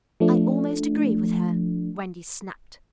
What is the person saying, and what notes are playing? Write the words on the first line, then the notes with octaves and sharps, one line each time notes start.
'I almost agree with her,' Wendy snapped.
F3 A3 D4